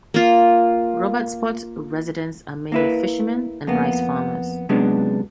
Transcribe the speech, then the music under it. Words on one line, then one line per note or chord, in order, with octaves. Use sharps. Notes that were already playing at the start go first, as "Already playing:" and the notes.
Robertsport residents are mainly fishermen and rice farmers.
A#3 F4
A#3 E4 B4
F2 A#3 B3
C3 F#3 G#3 B3 C#4 D4